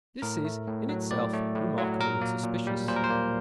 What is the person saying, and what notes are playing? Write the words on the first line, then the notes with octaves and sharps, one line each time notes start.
This is, in itself, remarkable and suspicious.
A2 A#4
A3
A2
F#3
A2 D5
A3
A2
F#3
A#2 A#4
A#3
A#2
G3
A#2 C5
A#4
C5
A#3